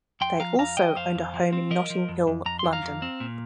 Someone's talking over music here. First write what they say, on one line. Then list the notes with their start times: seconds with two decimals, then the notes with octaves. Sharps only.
They also owned a home in Notting Hill, London.
0.21 F2 G5 C6
0.40 F3 F5 A#5
0.59 F2 F5 A#5
0.77 F3 D#5 G5
0.96 F2 C5 F5
1.15 F2
1.34 F3
1.53 C4
1.71 F3 A#4 D#5
1.90 F3
2.09 F2
2.27 F2
2.45 F2 A#5
2.59 F2 C6
2.73 F5 A#5
2.83 F2
3.02 C4
3.20 A#2